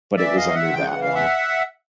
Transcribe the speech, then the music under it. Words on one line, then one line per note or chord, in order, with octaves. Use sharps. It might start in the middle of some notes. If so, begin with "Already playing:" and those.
but it was under that one.
E3 D5 E5
E2 D#5 F5
E2 E5 F#5
C#3 G5
E3 F#5
F5
E2 E5 F#5